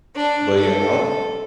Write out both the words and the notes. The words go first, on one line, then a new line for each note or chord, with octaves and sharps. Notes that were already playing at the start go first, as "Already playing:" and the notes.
but yeah, I don't
D4
A4